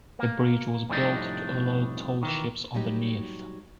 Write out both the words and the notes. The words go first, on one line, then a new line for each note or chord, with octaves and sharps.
The bridge was built to allow tall ships underneath.
A#3
F2 A2 C3 G3 D4 D#4
D#3 E3
F#3 G3 D#4 G4